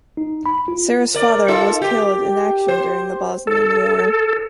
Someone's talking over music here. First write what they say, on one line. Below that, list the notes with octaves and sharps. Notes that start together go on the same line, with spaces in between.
Sara’s father was killed in action during the Bosnian War.
D#4
B5
F4
A#4 D5
D#4 F4 A4
G4
C5
A4